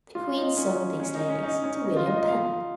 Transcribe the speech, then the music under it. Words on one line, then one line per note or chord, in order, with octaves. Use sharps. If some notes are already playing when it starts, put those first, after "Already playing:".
The queen sold these ladies to William Penn.
F4
D#4
C#4
C#4
D#4
C#4
D#4
C#4
D#4
F4
D#5
D#5
F5